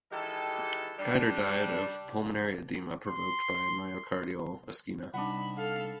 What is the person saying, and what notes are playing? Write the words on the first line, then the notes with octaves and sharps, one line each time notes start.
Gaidar died of pulmonary edema, provoked by myocardial ischemia.
D#3 E3 G#3 G4 A4
G3 D4
C6
C2 D4 D#4 F#5 B5
A4 F5